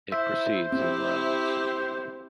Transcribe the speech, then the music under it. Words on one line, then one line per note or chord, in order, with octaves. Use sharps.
It proceeds in rounds.
E4 C5 E5
C4 E4 G4